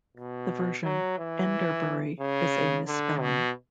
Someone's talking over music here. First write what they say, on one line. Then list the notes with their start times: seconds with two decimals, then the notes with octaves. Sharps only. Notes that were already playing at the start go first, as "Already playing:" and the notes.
The version 'Enderbury' is a misspelling.
0.17 B2
0.84 F#3
1.18 E3
2.20 C#3
2.87 D3
3.20 B2